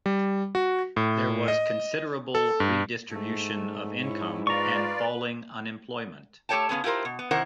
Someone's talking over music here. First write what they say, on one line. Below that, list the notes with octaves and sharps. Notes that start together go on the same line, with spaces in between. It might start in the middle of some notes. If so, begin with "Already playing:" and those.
There was considerable redistribution of income and falling unemployment.
G3
F#4
A2
D#5
A4
G2
G#2 A3
E4 C#5
F4 B4 D5 A#5 C#6
A3 G4 A4 C#5 G5 A5
C#3 F3 B3 C#4 G#4
E4 F4 G4 A4 A#4 C5
B2
B3
C3 D#3 E4 A#4 C5 F#5